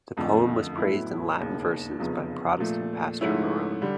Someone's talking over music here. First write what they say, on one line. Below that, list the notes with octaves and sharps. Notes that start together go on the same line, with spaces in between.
The poem was praised in Latin verses by Protestant pastor Marron.
F#1 F2 D3 F3 A3
A2 F#3 B3 E4
E1 D#2 C#3
F1 E2 C#3 F3
A#2 F3 A3
G#2 F3 A3 C#4 E4
D3 G3